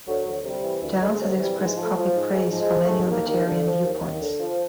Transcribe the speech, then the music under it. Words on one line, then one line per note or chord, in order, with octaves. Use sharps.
Downs has expressed public praise for many libertarian viewpoints.
D2 F#3
D2
C3 G3
E3
D2
D2 G#3
C3 F#3
E3 G3
G#2 G#3
F3
A3
F3
G#2
G#2
F3
G#3
F3
A3
G#2
D#2 A#3
D#2
D3
F3
D#2
D#2
D3
F3